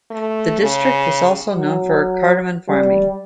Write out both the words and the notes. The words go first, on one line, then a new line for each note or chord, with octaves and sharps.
The district is also known for cardamom farming.
A3
C#3
F#3
G3